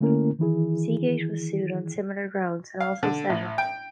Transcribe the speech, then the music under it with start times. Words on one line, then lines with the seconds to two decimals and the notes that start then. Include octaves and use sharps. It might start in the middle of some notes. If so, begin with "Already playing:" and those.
Seagate was sued on similar grounds and also settled.
0.01 D3 A3 A#3 C#4 E4 A#4
0.39 D#3 E3 E4 G#4
2.80 F5
3.03 D3
3.30 A1
3.58 G5